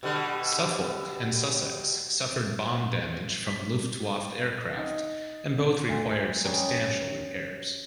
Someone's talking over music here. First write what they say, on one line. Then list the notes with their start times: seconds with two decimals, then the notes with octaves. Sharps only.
"Suffolk", and "Sussex" suffered bomb damage from Luftwaffe aircraft, and both required substantial repairs.
0.03 B2 D3 G3
3.47 B6
4.77 D#4
5.88 D2
6.44 F#2 F3 G3 C#4 D#5 G#5